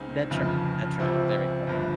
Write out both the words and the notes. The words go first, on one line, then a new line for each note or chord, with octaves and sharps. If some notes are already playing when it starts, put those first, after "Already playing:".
Detriment, detriment, there we go.
Already playing: C#2 C#3 G#3 C4 D#4
G1 F2 C#3 F3
C#2 C3 F3 C4
G1 G2 F3